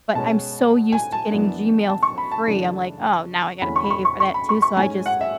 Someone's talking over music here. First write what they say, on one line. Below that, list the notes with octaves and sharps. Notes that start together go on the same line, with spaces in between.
But I'm so used to getting Gmail for free, I'm like, "Oh, now I gotta pay for that too," so I just
B2 G#3 C#4 A5
G#5
A5
F#2 E3 B3 D4
A5
C#6
B5
A5
F#2 C#3 E3 A3 D4
E2 D3 A3 C#4 B5
C#6
B5
C#6
C#6
C#6
B5
C#6
C#6
G#2 G#3 C#4 G#5
F#5
E5